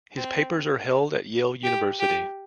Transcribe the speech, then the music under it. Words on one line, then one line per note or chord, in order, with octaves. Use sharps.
His papers are held at Yale University.
C4
G4
G4